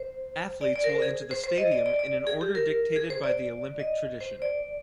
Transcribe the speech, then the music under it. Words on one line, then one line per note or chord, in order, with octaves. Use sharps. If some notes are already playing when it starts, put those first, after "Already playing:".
Athletes will enter the stadium in an order dictated by the Olympic tradition.
Already playing: C5
D5
D5
A#4
C5
G#4
C5
C5
D#5
D5
D5
D5
G#4
G4
A#4
G#4
C5
D5
D#5
C5
D5